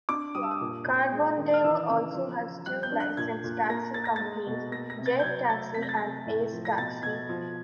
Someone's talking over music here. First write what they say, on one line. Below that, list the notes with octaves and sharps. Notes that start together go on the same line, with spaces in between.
Carbondale also has two licensed taxi companies, Jet Taxi and Ace Taxi.
D4 D6
G3 D#6
E6
D#6
A#2
A#2
G#3
D#3
F6
E3 E6
C#3
F3
F3
G3 F#6
G6
D4
F#6
A#2 G#6
A#2
A#3 A#6
A#3 A6
A#6
A6
G#3
B2
A#3 A#6
A#6
C3
A6
G6
F#3 G#6
G#6
A3 A6
C3 B6
A#6
A6
C3 A#6
A2
F3
A#6
B2 A6
B2 G#6
F3